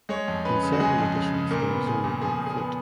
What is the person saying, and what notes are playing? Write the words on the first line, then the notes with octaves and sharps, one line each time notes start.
In several editions there is only one flute.
G#3 C#5
F2
C#4 B4
C#3
F#4
G#3 G#4
F2
C#3
C#3
A#2 A#4
B3
A#2 G#4
A#2
F3 G#4
A#2
G#4
B3